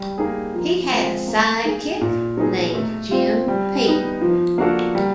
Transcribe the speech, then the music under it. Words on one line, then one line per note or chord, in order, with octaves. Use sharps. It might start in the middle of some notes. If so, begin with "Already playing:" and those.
He had a sidekick named Jim Peyton.
Already playing: G3
A#3 D#4 G#4
F3
G#3 C4 F4 G#4
A#3
D#4 G#4
A#2
F#3 B3 D#4 G#4
A3
C4 F4
G3
B3 D#4
F3
A#3 D4 F#4 A4
G3